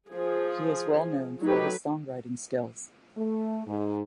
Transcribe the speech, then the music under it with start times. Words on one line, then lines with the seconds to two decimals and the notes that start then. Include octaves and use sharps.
He is well known for his songwriting skills.
0.10 F3 G#4
1.42 F#3 A3 D#4 G4 B4
3.17 A3
3.67 G#2